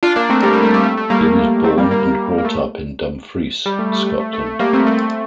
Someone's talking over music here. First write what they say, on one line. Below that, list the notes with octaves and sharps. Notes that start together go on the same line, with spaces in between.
He was born and brought up in Dumfries, Scotland.
D4 F4
A#3 D4
A3 C4
G3 A#3
G3
A3
G3
A3
A3
G3 A#3
A3 C4
G3 A#3
G3 A#3
A#3
A3
G3
A3
A3
A3
A3
A3
A3
G3 A#3
A3 C4
A3 C4